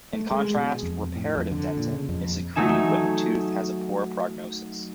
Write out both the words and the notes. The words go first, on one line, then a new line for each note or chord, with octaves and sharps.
In contrast, reparative dentin is secreted when the tooth has a poor prognosis.
A3
G#3
B2
F2
A2
F2
D3
A#2
C#3
F2
F#3 A3 D#4 G#5 E7